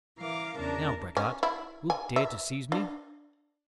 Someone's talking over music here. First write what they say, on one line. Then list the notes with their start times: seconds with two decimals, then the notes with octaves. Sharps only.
"Now, braggart, wilt dare to seize me?"
0.18 E3 A#4 F5 A#5 D6
0.58 E2 C#3 D4 A#4 A5 A#5
1.17 C#4
1.43 E4
1.90 G#5
2.16 E5
2.72 D4